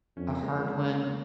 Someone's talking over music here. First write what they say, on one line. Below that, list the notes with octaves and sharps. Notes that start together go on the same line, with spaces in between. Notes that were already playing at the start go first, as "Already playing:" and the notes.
a hard one
F2 C#4
A#3
G#3
A#3